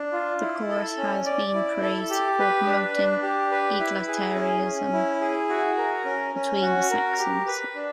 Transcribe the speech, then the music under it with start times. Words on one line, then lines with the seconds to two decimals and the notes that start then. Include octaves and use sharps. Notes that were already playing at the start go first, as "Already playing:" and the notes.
The chorus has been praised for promoting egalitarianism between the sexes.
Already playing: D4
0.12 F4
0.41 E4
0.69 A4
0.97 C#4
1.26 D5
1.54 E4
1.82 A4
2.10 G4
2.39 B4
2.66 D4
2.94 D4
3.22 G4
3.51 B4
3.79 E4
4.07 G#4
4.35 C#4
4.64 C#4
4.93 E4
5.21 G#4
5.49 F#4
5.77 A#4
6.05 C#4
6.34 C#4
6.62 F#4
6.90 A#4
7.19 G4
7.47 B4
7.75 D4